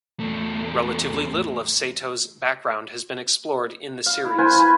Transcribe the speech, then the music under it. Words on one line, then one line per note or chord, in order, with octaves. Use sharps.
Relatively little of Sato's background has been explored in the series.
E2 A3
F5
E4
F4 B4 C5 G#5
G#5 B5